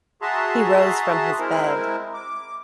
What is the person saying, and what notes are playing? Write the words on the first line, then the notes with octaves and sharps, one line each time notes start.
He rose from his bed.
F#4 G#4 E5 A5 A#5 C6
G#3 C4 E4 A#4
D6